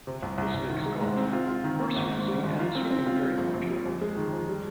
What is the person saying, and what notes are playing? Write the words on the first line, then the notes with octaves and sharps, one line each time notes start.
This makes golf, horse racing and swimming very popular.
C3
C2
C2
C2
D#3
G#3
G#2
C4
F4
F4
D#3
A#3
G#1
G#2
G3
G#1
F4
C4
C4
F4
G3
A#1
A#1
G3
F2
G#3
D#3
F2
G3